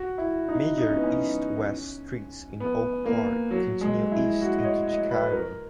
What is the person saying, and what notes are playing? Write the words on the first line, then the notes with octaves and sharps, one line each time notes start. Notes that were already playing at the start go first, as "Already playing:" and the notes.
Major east-west streets in Oak Park continue east into Chicago.
Already playing: F#4
E4
D#4
D#4
C#4
B3
C#4
B3
A#3
F#3
G#3
E4
F#4
D#5
C#5
D#5
B4
A#4